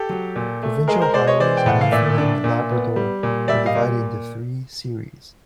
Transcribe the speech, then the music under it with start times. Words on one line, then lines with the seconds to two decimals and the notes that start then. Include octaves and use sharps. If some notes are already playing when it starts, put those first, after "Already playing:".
Provincial highways in Newfoundland and Labrador are divided into three series.
Already playing: G4 A4
0.09 F#3
0.36 A#2
0.63 A3
0.88 G#3 G#4 A#4
1.01 A#4 C5
1.14 G#3 C5 D5
1.27 C#5 D#5
1.40 E3 C5 D5
1.57 G5
1.66 A2 F#5
1.81 F5
1.92 A#2 D5 E5
2.18 D4
2.44 A#2
2.71 B3
2.96 G3
3.23 A#2
3.48 G3 D5 E5
3.66 D#5 F5
3.75 A#2